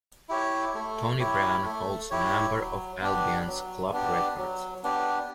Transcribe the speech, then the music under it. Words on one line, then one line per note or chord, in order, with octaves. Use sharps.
Tony Brown holds a number of Albion's club records.
E4 G4 C#5
A3
E4 G4 C#5
A3
E4 G4 C#5
F#3
B3 D4 G4
F#3
B3 D4 G4
F#3
B3 D4 G4